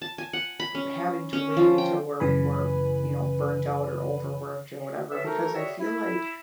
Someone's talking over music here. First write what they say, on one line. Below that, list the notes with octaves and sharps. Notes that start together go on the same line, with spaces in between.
u having to wait until we're we're, you know, burnt out or overworked or whatever. Because I feel like
A5
G#5
F#5
B5
C#4
C#4
F3
G5
F#2 C#3 E3 B4 G#5 B5
B3 C#4 A4 E5
A3 C4 D#4 F#4 A#4
G3 F#4 G#4 C#5 E5
E4